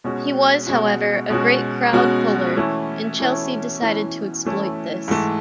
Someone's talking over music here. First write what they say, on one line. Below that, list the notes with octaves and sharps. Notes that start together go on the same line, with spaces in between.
He was, however, a great crowd puller, and Chelsea decided to exploit this.
B2 G#3 C#4 F#4
B2 G#3 C#4 F#4
B2 G#3 C#4 F#4
B2 G#3 C#4 F#4
E3 A3 C#4 E4
E3 A3 C#4 E4
E3 A3 C#4 E4
E3 A3 C#4 E4
G#2 E3 A3